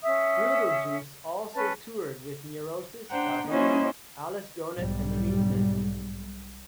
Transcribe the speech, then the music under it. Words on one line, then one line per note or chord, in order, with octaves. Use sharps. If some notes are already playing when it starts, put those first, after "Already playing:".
Brutal Juice also toured with Neurosis, Baboon, Alice Donut and The Meatmen.
C#4 E5 D#6
C#4 B4 A5
D4 C5 F#5 G5 A#5
A#3 C#4 D#4 E4 F#4 C5
B1 G#2 G3